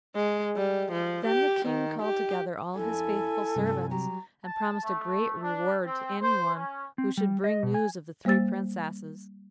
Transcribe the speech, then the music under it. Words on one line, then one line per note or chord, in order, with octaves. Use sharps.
Then the King called together all his faithful servants, and promised a great reward to any one who should bring news of the three princesses.
G#3
G3
F3
G4
D#3
G4
F2 G#2 D4 E4 A4 G#5
G2 C3
F#3 G4 A#5
A5
A3
D4
C4
C5
C#4
C4
G3
D#5
B2
G#5
G3 A#3 C5 E6 A6